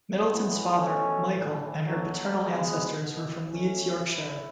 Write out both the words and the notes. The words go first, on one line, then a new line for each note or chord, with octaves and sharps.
Middleton's father, Michael, and her paternal ancestors were from Leeds, Yorkshire.
A2 E3 G#3 B3
B2 A3 C#4
A2 E3
B2 F#3 A3
B2 G#3 B3
B2
B2 A3 C#4
A2 E3 C#4 E4